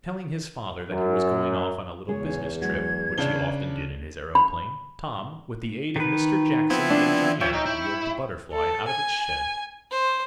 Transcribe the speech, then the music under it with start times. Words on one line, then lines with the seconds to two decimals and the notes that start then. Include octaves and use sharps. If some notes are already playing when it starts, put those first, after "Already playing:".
Telling his father that he was going off on a little business trip, which he often did in his aeroplane, Tom, with the aid of Mr. Jackson, the engineer, wheeled the Butterfly out of its shed.
0.90 F#2
2.08 E2 C#3 G#3 G#4 C#5
2.62 F#3 G#3 F#4 G#6
3.18 C#3 D4 B4 D5 G7
4.35 B5
5.96 D#3 B4
6.70 F3 B3 C4 E4
6.90 D4
7.41 F3 C#5 E5 G5
7.54 D#4
7.66 E4
8.52 A4
8.88 G#5
9.91 C5